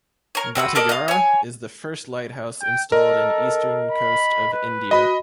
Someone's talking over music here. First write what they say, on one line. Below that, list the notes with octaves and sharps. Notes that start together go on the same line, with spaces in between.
"Batighara" is the first lighthouse installed in eastern coast of India.
A#4 C#5
C4 F#4 B4 E6
A4 A#4 D5 D#5
D#5 F5
C#5 G#5
G5
A4 A#4 D#5
B5
B4
F#4 D#5 B5